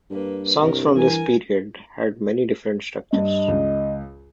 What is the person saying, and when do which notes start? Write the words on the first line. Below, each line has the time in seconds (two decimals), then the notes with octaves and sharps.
Songs from this period had many different structures.
0.11 G2 A#3 B4
0.62 C2 A#4
0.95 E3 A#4 G#5
3.13 G2 D#5
3.48 C#2